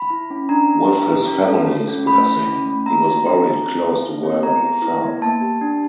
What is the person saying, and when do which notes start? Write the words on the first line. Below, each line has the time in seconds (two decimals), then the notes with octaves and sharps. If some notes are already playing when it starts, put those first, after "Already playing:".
With his family's blessing, he was buried close to where he fell.
Already playing: B5
0.10 E4
0.30 C#4
0.49 D4 A#5
0.70 D4
0.88 G4
1.09 G4
1.28 C#4
1.48 A4
1.67 F4
1.88 C#4
2.07 A3 B5
2.26 E4
2.47 C#4
2.66 A3
2.86 A#3 A#5
3.05 F#4
3.25 D4
3.45 A4
3.64 C4
3.84 A4
4.03 E4
4.23 C4
4.43 B3 A#5
4.63 G#4
4.82 E4
5.03 B3
5.22 A#3 A5
5.41 G4
5.61 D4